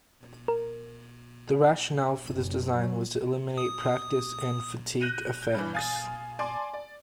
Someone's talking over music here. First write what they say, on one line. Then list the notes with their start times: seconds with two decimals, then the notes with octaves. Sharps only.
The rationale for this design was to eliminate practice and fatigue effects.
0.48 A#4
2.26 F#1
2.75 F#3
3.58 D#6
5.00 F#6 G6 A#6 D#7 F#7
5.42 G6
5.54 G2 E3
5.74 F5 G#5 D#6 A6
6.39 D5 G#5 A5 C6 D6
6.73 D5